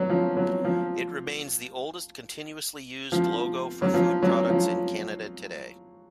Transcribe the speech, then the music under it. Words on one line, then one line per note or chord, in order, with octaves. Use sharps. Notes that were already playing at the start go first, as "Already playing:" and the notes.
It remains the oldest continuously used logo for food products in Canada today.
Already playing: F#3
F3
F#3
F3
F3
F#3
F3
F#3
F3